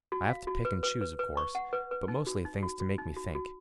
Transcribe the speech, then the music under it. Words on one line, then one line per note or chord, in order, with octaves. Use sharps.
I have to pick and choose, of course, but mostly things to make me think.
F#4
F5
F#4
B4
B4
B4
B4
C#6
F#5
B4
B4
D#4
F#4
D#4
F#4
F#4
D#4
F#4
F#4